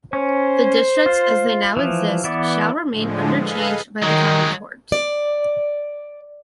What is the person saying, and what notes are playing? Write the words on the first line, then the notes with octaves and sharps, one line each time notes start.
The districts as they now exist shall remain until changed by the county court.
C#4 C5
F4
E3 F3
E3 B3 D5
A2 D3 F3 G#3
G#4 A4 B4 D#5 F5
D#3 F#3 G#3 D#4
D5